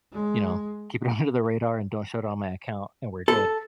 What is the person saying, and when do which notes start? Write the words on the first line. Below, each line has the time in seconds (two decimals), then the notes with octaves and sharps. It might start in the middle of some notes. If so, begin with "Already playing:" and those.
you know, keep it under the radar and don't show it on my account, and we're good."
0.12 G#3
3.28 A4